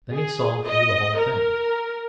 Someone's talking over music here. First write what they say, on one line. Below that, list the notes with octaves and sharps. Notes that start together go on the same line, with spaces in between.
Then he saw through the whole thing.
G#4
D#5
A#4